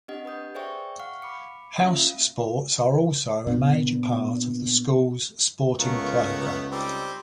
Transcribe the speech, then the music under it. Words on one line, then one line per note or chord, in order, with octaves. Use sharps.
House sports are also a major part of the school's sporting program.
C4 D4 G4 D#5 F#5
B4 F#5 D#6 G6
G#4 C5 D5 E5 G5 C#6
F5 F#5 C#6 F6
B5 D6 C#7
A#3 C#4 F4 E5 F5
A#2 B3 D4
C#2 A3 B3 A#4 F5 C#6
G3 C4 D#4 A4